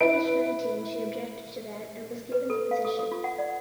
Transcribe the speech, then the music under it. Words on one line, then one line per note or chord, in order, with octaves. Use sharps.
Aged nineteen she objected to that and was given the position.
E4 B4 D7
B4
A4
F5
A4
A4
F4
F#5
D5